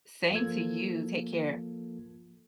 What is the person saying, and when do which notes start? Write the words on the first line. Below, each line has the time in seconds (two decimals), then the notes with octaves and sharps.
Same to you. Take care.
0.31 F3 A#3 F4 A4 G#6